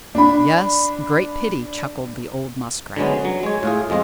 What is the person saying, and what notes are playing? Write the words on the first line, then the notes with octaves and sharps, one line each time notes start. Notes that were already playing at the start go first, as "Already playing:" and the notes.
"Yes, great pity," chuckled the old Muskrat.
D4 B5
D3 F#3 G#3 B3 C#4
F#3
G#3 C#5
A2 F4 G#4
F2 G#3 F4 D#5